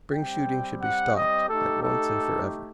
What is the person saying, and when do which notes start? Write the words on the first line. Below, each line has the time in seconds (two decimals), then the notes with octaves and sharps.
Spring shooting should be stopped, at once and forever.
0.14 G3 C4 G4 G5
0.81 F#5
1.15 D#5
1.49 A3 D#4 G4 A4
1.83 A4